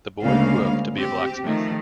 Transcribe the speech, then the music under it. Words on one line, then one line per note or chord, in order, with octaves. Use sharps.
The boy grew up to be a blacksmith.
D2 C#3 G#3 A#3 F5
C4 G4
D#3 F3 A3